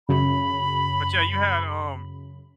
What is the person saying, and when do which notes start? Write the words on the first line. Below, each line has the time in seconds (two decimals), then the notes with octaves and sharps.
but, yeah, you had, um
0.09 F#2 C#3 B5